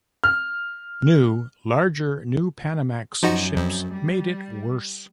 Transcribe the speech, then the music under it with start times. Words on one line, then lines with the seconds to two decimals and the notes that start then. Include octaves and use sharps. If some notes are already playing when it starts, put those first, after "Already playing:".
New, larger "New Panamax" ships made it worse.
0.24 F6
3.23 F#2 F3 D#4 F#4
3.56 F2
3.93 G3